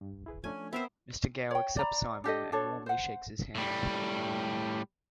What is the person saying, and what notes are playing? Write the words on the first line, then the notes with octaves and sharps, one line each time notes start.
Mr. Gao accepts Simon and warmly shakes his hand.
G2
E4 G#4 B4
F3 A3 C#4 D4 G#5
B3 C4 A#4 C5 E5
C#5 G5
D5 A#5 B5
D4 G4 A4 D#5
D4 F#4 A4 C#5
C5 F#5
A2 G3